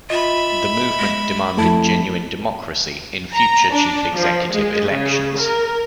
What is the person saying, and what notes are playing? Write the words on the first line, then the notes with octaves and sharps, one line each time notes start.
The movement demanded genuine democracy in future chief executive elections.
F4 D#5 E5 B5
G#3
F2 A3 E4 A4 A5
A#5
D4
F3
G#3
C#3
A#4